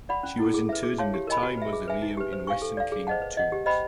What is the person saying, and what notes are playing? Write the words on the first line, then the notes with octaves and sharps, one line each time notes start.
She was interred in the Tai Mausoleum in Western Qing tombs.
D5 F#5 B5
C#4
E4 A4
G#4
B4 E5
G#4
C#5 F5 A5 C6
G4
A#4 D#5 G#5 B5
F#4
B4 E5
G#4
B4 E5 G#5
D#4
G4 B4
C5
F5 G#5 C#6
A4
D5 F5
G#4
C5 D#5 F#5 A5
B4
D#5 F#5
G4
C5 D#5 G5 B5